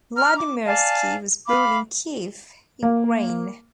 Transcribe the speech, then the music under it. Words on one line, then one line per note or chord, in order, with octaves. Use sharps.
Vladimirski was born in Kiev, Ukraine.
A#5 F6
D6
D5 F5 G#5 A5
F5 B5 D6
A#3